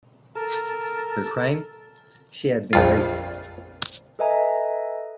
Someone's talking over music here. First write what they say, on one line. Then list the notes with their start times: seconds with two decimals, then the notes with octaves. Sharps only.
Her crime: she had been raped.
0.35 A4 A#4
2.73 A#1 F2 F4
4.19 A4 B4 D#5 E5 G#5 A#5